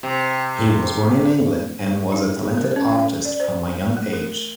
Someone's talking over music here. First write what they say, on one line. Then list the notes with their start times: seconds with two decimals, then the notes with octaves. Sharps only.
He was born in England and was a talented artist from a young age.
0.03 C3
2.12 D#4
2.58 A#4
2.76 C#4
3.25 D5
3.40 C5
3.97 A3
4.13 A#4